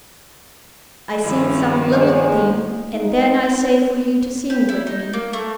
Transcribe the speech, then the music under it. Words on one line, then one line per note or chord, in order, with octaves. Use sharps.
I sing some lil' ting, and then I say for you to sing with me.
G2 D#3 F3 G#3 E4
E2 G#2 G#3
D#4
B3
G4
E4
D#4
A#3
A3